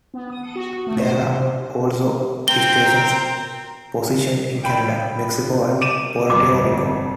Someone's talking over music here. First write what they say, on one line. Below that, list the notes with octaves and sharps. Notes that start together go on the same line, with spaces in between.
There are also stations positioned in Canada, Mexico and Puerto Rico.
B3
D#6
F#4
A3
C5
C3
C4 A#4 G5 G7
G5 B5
D6 D#7 E7
G1 F2 D6